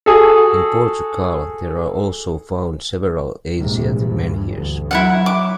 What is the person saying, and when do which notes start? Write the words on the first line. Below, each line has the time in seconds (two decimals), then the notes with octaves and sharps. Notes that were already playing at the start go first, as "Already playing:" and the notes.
In Portugal, there are also found several ancient menhirs.
0.06 F#4 G#4 A4
3.59 A#1 G#2 C3
3.97 G2 E3
4.53 D2
4.91 F#3 E4 F4 F#5
5.26 D6